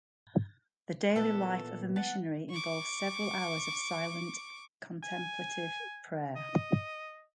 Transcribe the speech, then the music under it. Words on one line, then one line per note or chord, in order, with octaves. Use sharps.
The daily life of a missionary involves several hours of silent contemplative prayer.
A#2 E3 B3 A4
F#5 A5
C#6 D6
G#5
D#5